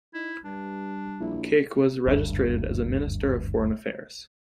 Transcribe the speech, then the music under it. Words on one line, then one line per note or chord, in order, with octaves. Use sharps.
Keke was reinstated as Minister of Foreign Affairs.
D#4 E4
G2 G3 D4
A#1 E4
F#1 D2 G2